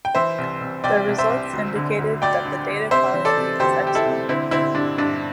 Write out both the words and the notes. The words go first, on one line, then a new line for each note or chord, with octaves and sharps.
The results indicated that the data quality is excellent.
G5
E3 C5 E5
C2
C2
C2 D5 G5
C2
C5 E5
C2
D2
D3
D2
D2 D5 G5
D3
D3
C3 C5 E5
E3
A4 D5
C3
D2 G4 C5
D2 G4
E4 A4
C3
D3 C4 E4
D3 C4 E4
G2 D4
G2 D4